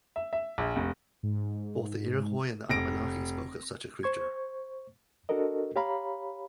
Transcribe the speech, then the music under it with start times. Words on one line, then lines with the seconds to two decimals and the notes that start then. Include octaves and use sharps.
Both the Iroquois and the Abenaki spoke of such a creature.
0.16 E5
0.33 E5
0.58 A#1
0.76 F1
1.23 G#2
2.69 F1 A#6 D7
4.03 C5 C#6 G#6
5.29 D4 F#4 A4 A#4 D#5
5.76 G4 C#5 F5 A#5 B5